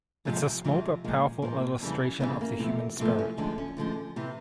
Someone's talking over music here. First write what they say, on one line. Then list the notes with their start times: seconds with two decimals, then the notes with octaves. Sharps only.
It's a small but powerful illustration of the human spirit.
0.25 F2 C3 F3 G#3 A3
0.64 F2 C3 F3 G#3
1.04 A#2 F3 G#3
1.42 A#2 F3 G#3 A#3
1.82 F2 C#3 E3 G3
2.20 F2 C#3 E3 G3 B3
2.41 A#3
2.59 E2 C3 F3 A3
2.99 E2 C3 F3 A3 C4
3.19 C#4
3.37 D2 D3 F3 G#3 D4
3.58 C#4
3.77 D2 D3 F3 G#3
4.16 C3 E3